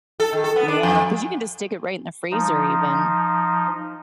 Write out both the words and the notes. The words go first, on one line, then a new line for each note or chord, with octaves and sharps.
Yeah. ‘Cause you can just stick it right in the freezer even.
A4
D#3
A4
B3
D4
F2
F3 D#4